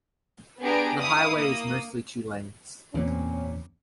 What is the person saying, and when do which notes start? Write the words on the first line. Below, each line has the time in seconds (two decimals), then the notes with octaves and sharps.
The highway is mostly two-lanes.
0.60 B3 D4 G4 G#4 A#5 D7
1.00 E4 F5 D#6
1.36 A#3 D#6
2.94 F#1 E2 A#2 A#3 C4 C#4